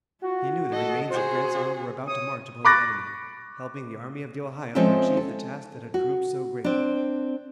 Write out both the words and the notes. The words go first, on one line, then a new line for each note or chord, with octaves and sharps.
He knew the remains of Grant's army were about to march upon the enemy, helping the Army of the Ohio to achieve the task that had proved so great.
F4 F#4
A4 D#5
F#4 G#4 C5
C#5 D#6
B5 C#6 D6 F#6 A6 A#6
F3 G#3 C4 C#4 A4 E5
A4
F#4
C4 D4